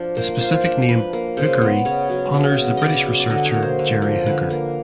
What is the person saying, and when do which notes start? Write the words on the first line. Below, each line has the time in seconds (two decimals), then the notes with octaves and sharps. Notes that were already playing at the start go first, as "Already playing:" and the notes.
The specific name "hookeri" honours the British researcher Jerry Hooker.
Already playing: F3 D4 F4
0.17 A#3 C5
0.41 F4 C5
0.65 D4
0.89 F3 B4
1.13 A#3
1.37 C#3 C5
1.61 B3
1.85 C#3 C#5
2.10 F#3
2.34 C#3
2.58 B3
2.77 C#3 D5 D#5
3.06 F#3
3.20 D5
3.30 D3 D#5
3.46 C#5
3.54 A#3
3.63 C5
3.79 D3
4.02 F3
4.26 D3 B4
4.50 A#3